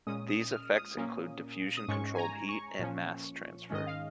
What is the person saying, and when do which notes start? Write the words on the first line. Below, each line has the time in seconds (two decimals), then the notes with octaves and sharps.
These effects include diffusion-controlled heat and mass transfer.
0.07 A#2 G#3 C#4 D#6
0.29 D#6
0.52 F6
0.75 D#6
0.97 A#2 A#3 C#4
1.77 D#6
1.88 G#2 G#3 C#4 C#6
2.15 G#5
2.18 A#5
2.49 C#6
2.79 A#2 F3 C#4
3.70 G#2 D#3 G#3 C#4 D#5
3.87 F5